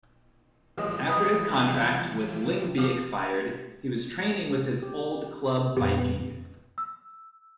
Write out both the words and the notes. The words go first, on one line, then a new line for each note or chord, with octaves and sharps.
After his contract with Lyngby expired, he was training with his old club Viking.
A1 E3 F3 G3 G#3
B4 D#5
F3 G4
G4
F2 A#2 C#3 B3 G4 B4
E6